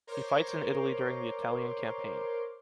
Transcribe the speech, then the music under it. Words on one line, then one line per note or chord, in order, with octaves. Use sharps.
He fights in Italy during the Italian campaign.
A#4 C5 C#5 C6 D6 F6